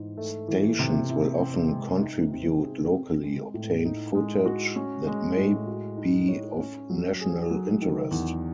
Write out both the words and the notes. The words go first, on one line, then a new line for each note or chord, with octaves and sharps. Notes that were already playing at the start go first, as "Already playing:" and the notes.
Stations will often contribute locally obtained footage that may be of national interest.
Already playing: G#2 E3
A3
E3
C3
E4
C4
G#3
D#4
C4
G#4
C4
G#3
A2
D#4
G#3
F#4
C#4
G#3
A2
F#4
D#4
C#5
C#4
F#3
G#4
F#3
D#3
E2